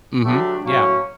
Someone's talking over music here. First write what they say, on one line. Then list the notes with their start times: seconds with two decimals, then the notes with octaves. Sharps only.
Mhm. Yeah.
0.23 D3 F#3 A3 D4 G4
0.63 A2 F#3 A#3 C#4